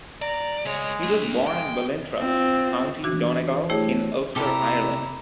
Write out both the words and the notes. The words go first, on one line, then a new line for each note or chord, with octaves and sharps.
He was born in Ballintra, County Donegal, in Ulster, Ireland.
D5 A#5
C#2 G#3 C#5
A3 D4
G#3 G5
C4 F4
E3 D4 F#4 D6 E6
C5
A3 E4 G4 G#4 C#5 G5
C3 E4 G4 A4 A#4 A#5 D6